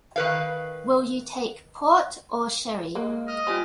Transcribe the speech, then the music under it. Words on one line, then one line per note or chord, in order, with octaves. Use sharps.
Will you take port or sherry?
D#3 B4 F5
G#3 A#3
D#5 F6
G3 C4 F4 G#5 F6